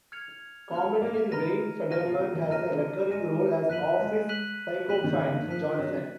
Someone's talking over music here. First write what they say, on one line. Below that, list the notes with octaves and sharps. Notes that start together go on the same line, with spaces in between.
Comedian Wayne Federman has a recurring role as office sycophant, Johnson.
F6 G#6 C#7 F7
F#3 F6 G#6 C#7 F7
A#3
B3 A#5 F6 A#6 D#7
F#4 A#5 F6 A#6 D#7
F4
F#3
F3
F#3 A#5 F6 A#6 D#7
G#3 A#5 F6 A#6 D#7
F3 F#6 B6 D#7 F#7
G#3
F#6 B6 D#7 F#7
F#3 F#6 B6 D#7 F#7
D#3
C#3
D#3
F3 F#6 B6 D#7 F#7
F#3